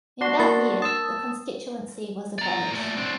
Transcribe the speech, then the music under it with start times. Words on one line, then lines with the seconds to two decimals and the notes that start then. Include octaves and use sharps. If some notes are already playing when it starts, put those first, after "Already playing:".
In that year the constituency was abolished.
0.21 D4 F#4 C6
0.39 A#3 A#4 A6
0.82 A5 D#6 E6
2.39 D5 A#5
2.73 A#2 A3
2.97 C4 D4